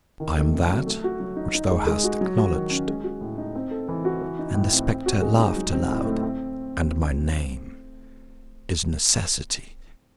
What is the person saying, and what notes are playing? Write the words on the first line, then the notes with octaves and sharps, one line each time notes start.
'I am That which thou hast acknowledged'; and the spectre laughed aloud--'and my name is NECESSITY.'
D#3
A3
C3
F#3
A3
F#4
F#3
D#4
D#4
G#3
G#3
F#4
F#3
F#4
D#3
C#4
G#3
F#4
A2
D#4
C4
A4
E3
F#4
E3
D#4
A2
C4
C4
F#4
G#3
D#4
F#3
C4
A2
A3
C4